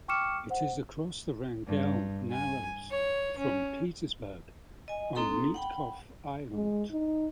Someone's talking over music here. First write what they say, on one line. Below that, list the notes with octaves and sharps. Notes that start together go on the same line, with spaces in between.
It is across the Wrangell Narrows from Petersburg on Mitkof Island.
G5 C#6 D6 F6 C#7 E7
C5 F#5
G2
G#5
C#5
C#4
D#5 G#5
A#3 C4 D#4 A4 A#5 C6
F#5 G5 B5
G#3
D#4